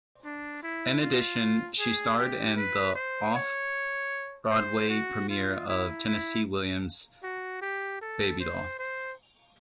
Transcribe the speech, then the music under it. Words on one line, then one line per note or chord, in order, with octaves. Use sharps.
In addition, she starred in the off-Broadway premiere of Tennessee Williams' "Baby Doll".
D4
E4
F4
G#4
G4
B4
C5
C#5
C5
F#4
F4
E4
E4
F#4
G4
A4
C5
C5